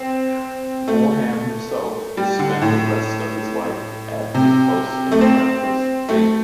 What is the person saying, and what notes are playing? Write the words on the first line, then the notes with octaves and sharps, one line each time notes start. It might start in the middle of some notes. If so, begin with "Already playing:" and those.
Gorham himself spent the rest of his life at his post in Brampford Speke.
Already playing: C4
A3
G3
D3
A2
C3
A3
C4
A3